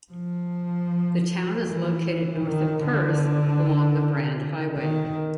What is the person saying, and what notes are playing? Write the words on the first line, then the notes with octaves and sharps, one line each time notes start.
The town is located north of Perth along the Brand Highway.
F3
E3
D#3
D3
D#3